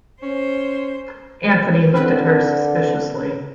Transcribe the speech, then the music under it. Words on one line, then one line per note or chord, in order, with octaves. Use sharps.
Anthony looked at her suspiciously.
C#4 C5
D3 C4 B4